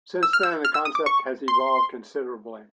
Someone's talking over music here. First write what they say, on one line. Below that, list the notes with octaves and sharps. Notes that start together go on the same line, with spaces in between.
Since then, the concept has evolved considerably.
E6
F6
E6
F6
E6
D#6
D6
C#6
C6